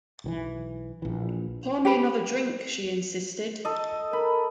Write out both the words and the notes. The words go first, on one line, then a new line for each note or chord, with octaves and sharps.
"Pour me another drink," she insisted.
B1 D#3 E3
A#1 E3
G4 B4 B5
A4 D#5
A#4 B5